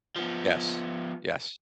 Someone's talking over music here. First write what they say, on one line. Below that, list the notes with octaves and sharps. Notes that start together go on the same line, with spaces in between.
Yes, yes.
F3 B3